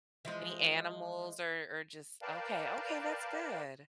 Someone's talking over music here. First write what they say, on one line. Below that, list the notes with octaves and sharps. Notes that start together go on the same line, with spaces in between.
any animals? Or or just Okay, okay, that's good.
E3 F3 G#3
A#4 B4 D5 F5 G5 A5